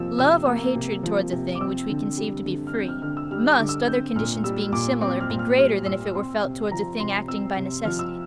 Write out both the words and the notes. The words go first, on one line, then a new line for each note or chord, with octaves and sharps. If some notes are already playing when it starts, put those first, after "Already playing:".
Love or hatred towards a thing, which we conceive to be free, must, other conditions being similar, be greater than if it were felt towards a thing acting by necessity.
Already playing: C3 F3 A#3 E6
C3 E6
A#3
C3
F3
C3
D6
C4 E6
D3
G3
D3
F6
C4 G6
F6
D3 F6
E6
G3 F6
D6
D3
E6
C4 G6
A#2 F6
G3 E6
A#2 D6
C4 D6
F6
A#2
F6
G3 F6
A#2 E6
C4 C6
C3
F3 A#5
C3 C6
C4 E6
C3
F3 F6
E6